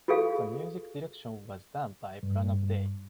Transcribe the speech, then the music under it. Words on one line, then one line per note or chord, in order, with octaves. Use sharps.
The music direction was done by Pranab Dey.
F4 F#4 G#4 A4 F5
G2